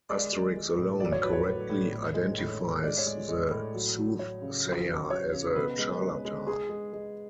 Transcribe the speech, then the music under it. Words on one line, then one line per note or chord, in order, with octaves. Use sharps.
Asterix alone correctly identifies the soothsayer as a charlatan.
G#3 D5
G#3
G#3
A2
F#3 D5
C#5
F#3 B4
C#5
A2
A2
A2
G#3
A2
A2
G#3 D5
C#5
G#3
G#3
A2
F#3
F#3
F#3 C#5
C#3
F#3
F#3
F#3 C#5
C#3
B2 B4
G#3
G#3
G#3
G#3 G#4
G#3
G#3